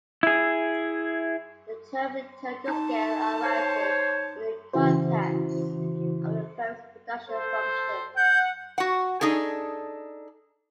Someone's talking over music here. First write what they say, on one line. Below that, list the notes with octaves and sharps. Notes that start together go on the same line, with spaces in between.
The term returns to scale arises in the context of a firm's production function.
E4 G#4
D#4 A5
C5 C#5
C#3 E3 E4 F#4 C5
A4 C5
F#5 G6
F#4 F#5
D4 D#4 G#4 A4